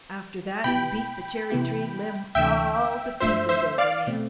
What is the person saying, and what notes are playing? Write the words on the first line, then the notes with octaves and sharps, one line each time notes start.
After that he beat the cherry-tree limb all to pieces over me.
B2 B3 E4 G4 G5 B5
C3 E3 B3 E4 G4
D2 C3 E3 A3 D4 E5 G5
G2 F3 A3 D4 F4 C5 E5
C5 E5
D5 F5
B2 A3 C4